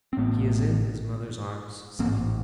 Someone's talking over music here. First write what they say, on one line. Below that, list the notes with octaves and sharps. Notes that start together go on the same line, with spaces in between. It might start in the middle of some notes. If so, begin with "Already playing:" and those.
'He is in his mother's arms,' said he.
C4
A1 A2 A3 B3
A1 G#2 A#3 C4